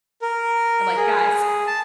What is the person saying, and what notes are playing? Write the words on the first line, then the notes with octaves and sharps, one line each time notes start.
I'm like, "Guys,
A#4
G#4
A5